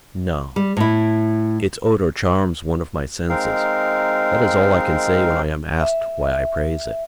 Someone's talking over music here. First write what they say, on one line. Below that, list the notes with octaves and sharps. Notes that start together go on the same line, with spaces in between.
No; its odor charms one of my senses--that is all I can say when I am asked why I praise it.
G3
A2 E4
G#3 C4 D#4 A#4 F5
E5